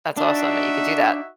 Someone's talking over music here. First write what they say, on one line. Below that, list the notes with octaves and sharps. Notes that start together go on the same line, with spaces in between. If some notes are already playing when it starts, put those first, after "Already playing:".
That's awesome that you could do that.
D4 D#4 F#4 E5